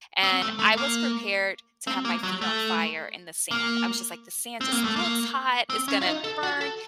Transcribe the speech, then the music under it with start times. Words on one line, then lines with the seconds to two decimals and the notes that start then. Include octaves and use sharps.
and I was prepared to have my feet on fire in the sand. I was just like, "The sand just looks hot, it's gonna burn."
0.23 C4
0.42 A3
0.59 A3
0.77 A#3
1.87 C4
2.05 A#3
2.23 F#3
2.41 A3
3.51 A#3
4.61 C4
4.72 A#3
4.84 A3
4.96 A#3
5.70 C4
5.88 C#4
6.01 F4
6.06 D#4
6.24 A4
6.43 F#4
6.61 A4